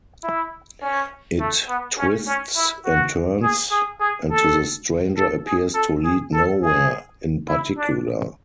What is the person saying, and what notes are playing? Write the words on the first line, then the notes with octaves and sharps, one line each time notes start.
It twists and turns, and to the stranger appears to lead nowhere in particular.
E4
C#4
A3
B3
C#4
C#4
E4
F#4
G#4
G#4
G#4
A4
A4
G#4
A4
G#4
A4
G#4
E4
D4